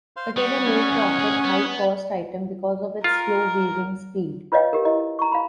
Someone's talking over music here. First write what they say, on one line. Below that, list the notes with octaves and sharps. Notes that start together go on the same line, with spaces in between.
It is a low-profit, high-cost item because of its slow weaving speed.
C5 F5 C6
G3 F#5 C#6 D#6
C#4
E2
D2 G#4
B3
F4 A#4
F4 B4 C#5 D#5 F5 G5
G4 A#4
E4 D#5
A#5 C#6
F5 B5